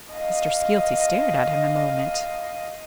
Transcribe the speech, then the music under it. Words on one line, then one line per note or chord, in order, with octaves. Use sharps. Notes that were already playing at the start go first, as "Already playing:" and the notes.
Mr. Skeelty stared at him a moment.
D#5 F5